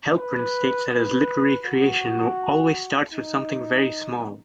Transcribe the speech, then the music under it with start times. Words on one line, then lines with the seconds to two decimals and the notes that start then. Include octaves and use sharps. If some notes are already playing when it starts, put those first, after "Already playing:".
Helprin states that his literary creation "always starts with something very small".
0.17 B4
0.91 B4
1.65 F#4
3.12 D#4